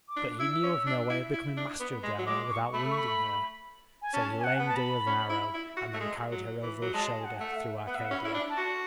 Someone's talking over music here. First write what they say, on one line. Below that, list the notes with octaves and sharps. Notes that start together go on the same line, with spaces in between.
But he knew of no way of becoming master of the animal without wounding her, so he lamed her with an arrow and then carried her over his shoulder through Arcadia.
D6
D4
E4 E6
C#4
D4
E4
E4
D4
B3
G#3
F#3
G#3 D6
C#6
A3 B5
C#6
B5
G#5
C#4 A5
G#5
F#5
B3
A5
B5
C#4
E4
E4
F#4
A3
G#3
F#3
E3
F#3
G#3 A5
G#5
F#5
A3
F#5
E5
B3 F#5
E5
F#5
C#4
B5
E4
D4
A5
F#4